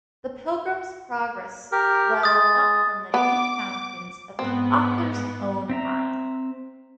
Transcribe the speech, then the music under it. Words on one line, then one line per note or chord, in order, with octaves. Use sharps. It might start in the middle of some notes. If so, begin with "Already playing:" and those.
The Pilgrim's Progress welled up from the deep fountains of the author's own mind.
G4 A#4
G#3 D#6 A6
B3 D6
G#2 B3 C4
C4 E5 A#5